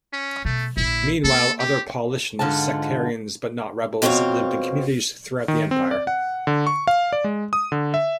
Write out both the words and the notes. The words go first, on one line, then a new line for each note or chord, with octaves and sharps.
Meanwhile, other Paulicians, sectarians but not rebels, lived in communities throughout the empire.
C#4
B2 A3
A#1 D3 E4
A#3 A4
G4
G#2 D3 F4 F#5 A5
F2 B2 C4 F#4 C#5 F5
D#3
C4
D5
F#5
D3
C#6
F5
D5
G#3
D#6
D3
E5